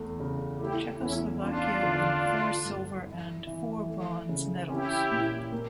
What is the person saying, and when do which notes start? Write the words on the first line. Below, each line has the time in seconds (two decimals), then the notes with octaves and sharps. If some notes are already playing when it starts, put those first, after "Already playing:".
Czechoslovakia won four silver and four bronze medals.
Already playing: E2 A3
0.20 C#3
0.60 A3 E4 G4
1.01 E2 C#4 E4
1.42 C#4 D4 F4
1.83 D3
2.24 A3
2.65 G2
3.07 E4
3.47 E3
3.88 A3
4.29 C#3
4.70 C#4 E4 G4
5.11 A#2
5.52 A#3